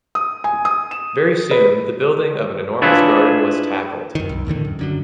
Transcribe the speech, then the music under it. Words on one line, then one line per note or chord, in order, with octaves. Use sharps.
Very soon, the building of an enormous garden was tackled.
D#6
G#5
D#6
E7
B4
D4 E4 F4 G#4 B4 C#5
F#2 D#3
C2
E2 A2 D3 D#3
F#2
F#2 D3 F#3